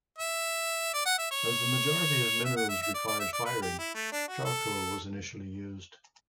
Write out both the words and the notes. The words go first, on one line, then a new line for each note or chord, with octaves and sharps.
As the majority of minerals required firing, charcoal was initially used.
E5
D5
F#5
E5
C#5
E5
F#5
E5
E5
D5
D5
E5
D5
B4
G4
E4
A3
D4
F#4
A4